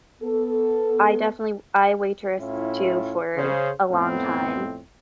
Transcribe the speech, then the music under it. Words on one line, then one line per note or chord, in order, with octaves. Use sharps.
I definitely I waitress too for a long time,
B3 A4
A2 C#4 E4 F4
C#3 C5
F2 A2 B3 C4